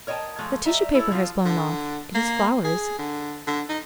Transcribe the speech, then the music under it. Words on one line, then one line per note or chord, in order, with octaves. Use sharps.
"The tissue paper has blown off: it is flowers."
A#4 C#5 D#5 G5 A5
F3 G#3 A3
G3 D#5 E5 A#5
E4 A4 C#5
F3 F4
D3
A#3
G#4
D3
D3
D#4